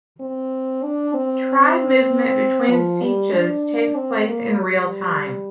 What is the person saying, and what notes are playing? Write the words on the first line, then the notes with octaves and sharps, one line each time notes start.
Tribe movement between sietches takes place in real-time.
C4
D4
C4
F3
G3
D4
C4
A#3
G3